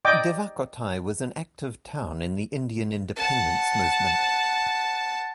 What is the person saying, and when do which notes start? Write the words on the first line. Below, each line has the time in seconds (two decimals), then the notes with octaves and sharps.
Devakottai was an active town in the Indian Independence Movement.
0.05 D5 D#5 G5 D6
3.16 F#5 A5